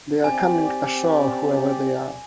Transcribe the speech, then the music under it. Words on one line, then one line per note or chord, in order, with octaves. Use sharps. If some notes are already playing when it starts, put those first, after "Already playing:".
They are coming ashore, whoever they are.
C4 G4 D5 G#5